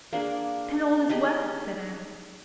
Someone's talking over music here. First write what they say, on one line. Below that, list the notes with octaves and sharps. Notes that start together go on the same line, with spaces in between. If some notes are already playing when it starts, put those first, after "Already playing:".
"Then, all is well," said Annie.
A#3 D4 G#4
D#4 G4 G#4 D#5